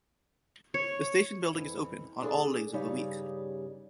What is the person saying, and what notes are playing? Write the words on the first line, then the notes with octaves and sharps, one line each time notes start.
The station building is open on all days of the week.
C#5
F2 E3
D4 E4 G#4 A4 D5
G2 C#3 G3 C#4 D#4